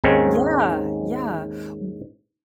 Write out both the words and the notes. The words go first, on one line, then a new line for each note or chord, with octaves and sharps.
Yeah, yeah, w
D#2 G#2 D#3 G#3 C4 C#4